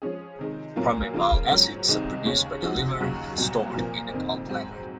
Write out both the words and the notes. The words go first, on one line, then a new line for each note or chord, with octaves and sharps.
Primary bile acids are produced by the liver and stored in the gall bladder.
F3 G#3 C#4 G#4
C3 D#3 G#3
A#2 F#3 A#3 C#4 F4
C#3 F3 A#3 F4 A#4
G#2 F#3 C#4
C2 C3 D#3 G#3 D#4
D#2 C#3 G#3 C#4
F3 G#3 D#4 F#4
D#2 C#3 F#3
C2 A#2 F#3
A#2 F3 A#3
F2 C3 D#3
G#2 F#3 C4